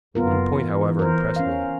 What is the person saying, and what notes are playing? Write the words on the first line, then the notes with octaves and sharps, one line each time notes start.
One point, however, impressed me.
F#1 B3 F4 A#4
E3
A#4 C5
C#4 F5